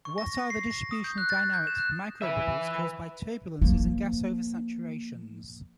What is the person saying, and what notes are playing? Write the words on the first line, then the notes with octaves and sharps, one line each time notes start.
What are the distribution and dynamics of microbubbles caused by turbulences and gas-oversaturations?
C#6
A#6
A#6
C7
A#6
D#6
G6
F#6
A6
G6
E7
F#6
B4 E5
F3 A#3